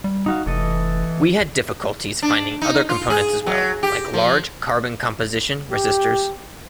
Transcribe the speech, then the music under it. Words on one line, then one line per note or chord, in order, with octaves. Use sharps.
We had difficulties finding other components as well, like large carbon-composition resistors.
G3
D#4 F#4 F5
F1 E3 A4 D#5
D4
D#4
F4
G#4
F#3
G4
F3
G4